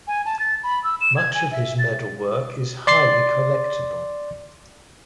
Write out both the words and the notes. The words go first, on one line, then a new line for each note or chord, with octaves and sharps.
Much of his medal work is highly collectible.
G#5
A5
A6
B5
E6
E7
G#6
G#5
E5
A6
D5 C6 A6 C7